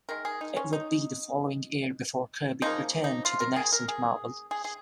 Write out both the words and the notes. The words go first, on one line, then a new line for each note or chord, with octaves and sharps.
It would be the following year before Kirby returned to the nascent Marvel.
D#3 G#3 A#4
G#4
D#4
C#4
D#4
C#3 F3 A#3 D#4
D#4
F4
A#4
G#4
A#4
G#4
G#4
G#4